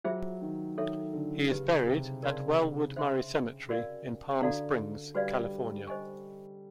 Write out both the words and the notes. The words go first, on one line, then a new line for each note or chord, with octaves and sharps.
He is buried at Welwood Murray Cemetery in Palm Springs, California.
F#3 F4 G#4 C5 E5 G5
D#3
D#3 A4 C#5 E5
D3
C#3 D#4 G4 B4
C3
C#3 A#4 D5 F5 A5 C6
C5 E5 G5 C6
F#4 A#4 D5 F5
D3 F#4 A4 D5 F5 A#5
G3 F#4 B4 D5 F5
C5 D#5 G#5 C#6